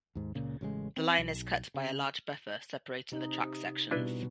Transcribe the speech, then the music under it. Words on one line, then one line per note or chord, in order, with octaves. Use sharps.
The line is cut by a large buffer separating the track sections.
D#2 G#2
C#2 A#2 C#3
A1 C#3 F3 G#3
C4
B1
C#3
C3 D#4
B2 G3 D4 E4 B4